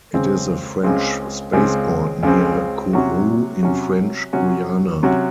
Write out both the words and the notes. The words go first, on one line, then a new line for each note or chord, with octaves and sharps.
It is a French spaceport near Kourou in French Guiana.
C#2 C#3 G#3 C4
C#2 C#3 G#3 C4
C#2 C#3 G#3 C4
C#2 C#3 G#3 C4
C3 F#3 C#4 F#4
C3 F#3 C#4 F#4
C3 F#3 C#4 F#4
C3 F#3 C#4 F#4